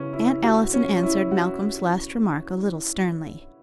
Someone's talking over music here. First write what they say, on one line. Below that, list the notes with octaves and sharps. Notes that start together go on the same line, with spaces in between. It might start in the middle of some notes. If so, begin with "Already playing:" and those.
Aunt Allison answered Malcolm's last remark a little sternly.
Already playing: C#3 E3 B3 C#4
E4
F#4
C#4
C#4
E4
F#4